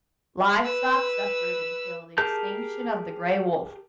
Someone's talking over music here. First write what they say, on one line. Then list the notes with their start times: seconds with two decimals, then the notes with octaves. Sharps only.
Livestock suffered until the extinction of the grey wolf.
0.62 B4 E6
2.18 G4 G#4 A#4 A5 G6